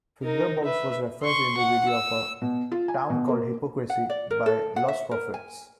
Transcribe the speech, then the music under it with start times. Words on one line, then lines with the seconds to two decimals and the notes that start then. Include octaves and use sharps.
Fingerbobs was referenced in the video of "A Town Called Hypocrisy" by Lostprophets.
0.23 D#4 A#4
0.64 B4 E5
1.23 C6 C#6
1.58 F#5
1.88 E6
2.42 B2
2.72 F4
2.88 G#5
3.10 B2
3.29 A#3
3.90 F#5
4.10 D5
4.31 A#4
4.46 A4
4.76 F#5
4.88 E5
5.11 A#4
5.34 G#5